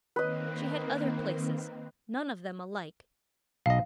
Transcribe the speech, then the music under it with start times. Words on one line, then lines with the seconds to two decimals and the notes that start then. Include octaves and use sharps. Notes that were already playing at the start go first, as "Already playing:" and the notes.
She had other places, none of them alike.
0.16 D#3 A#3 C4 B4 D#5
3.66 B1 D#5 F5